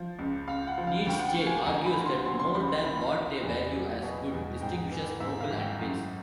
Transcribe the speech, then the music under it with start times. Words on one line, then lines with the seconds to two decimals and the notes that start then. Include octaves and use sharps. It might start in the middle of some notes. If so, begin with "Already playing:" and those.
Nietzsche argues that more than what they value as "good" distinguishes noble and base.
Already playing: F3
0.19 C#2
0.48 C#2 F5
0.67 F#5
0.78 F3
0.87 F5
1.07 D2 G5
1.19 F#5
1.27 G5
1.36 F3
1.47 G#5
1.66 D2 A#5
1.86 B5
1.96 D3
2.06 C6
2.25 F#3 C6
2.40 C6
2.55 C#2 B5
2.69 C6
2.84 D#3 B5
3.14 D#3
3.43 E2
3.73 F#3
4.03 B2
4.32 E2
4.61 G#2 G5
4.91 E3
5.20 G#2 E5
5.41 F5
5.50 G#1
5.59 G5
5.80 F#2